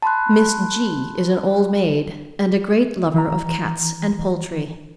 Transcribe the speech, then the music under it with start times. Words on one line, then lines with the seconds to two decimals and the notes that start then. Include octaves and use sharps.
Miss G---- is an old maid, and a great lover of cats and poultry.
0.02 A5 B5 C6 F#6
3.14 E3 A#5